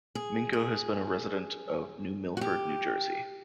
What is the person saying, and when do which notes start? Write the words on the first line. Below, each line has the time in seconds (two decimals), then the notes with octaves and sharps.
Minko has been a resident of New Milford, New Jersey.
0.15 G#4
0.53 G#4
2.37 F#4
2.41 G4